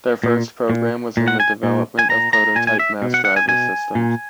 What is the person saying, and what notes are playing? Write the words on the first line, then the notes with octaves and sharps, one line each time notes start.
Their first program was in the development of prototype mass driver systems.
A#2
A#2
A#2
F#5
G#5
A#2
G#5
A#2 A#5
A#5
A#2 G#5
G#5
E5
B2
F#5
F#5
G#5
B2 G#5
A#2